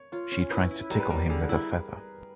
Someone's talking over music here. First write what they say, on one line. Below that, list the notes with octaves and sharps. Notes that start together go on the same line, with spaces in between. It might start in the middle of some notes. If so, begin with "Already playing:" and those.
She tries to tickle him with a feather.
Already playing: C#5
F4 C#5
C#4
E4 B4
E4
G3 A#4
B4
G3 A#4
D3 G#4
E4